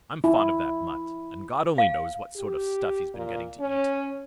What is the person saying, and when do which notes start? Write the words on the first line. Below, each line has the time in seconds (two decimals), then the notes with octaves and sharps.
I'm fond of that mutt, and God only knows what sort of stuff he's been getting to eat.
0.24 E4
1.78 F5
2.36 G4
3.14 A#2
3.59 C#4